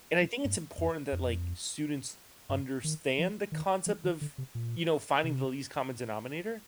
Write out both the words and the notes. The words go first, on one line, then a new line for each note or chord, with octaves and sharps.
and I think it's important that, like, students understand the concept of, you know, finding the least common denominator
G2
F2
F2
G2
D#3
F3
D#3
F3
D#3
D3
C3
A#2
C3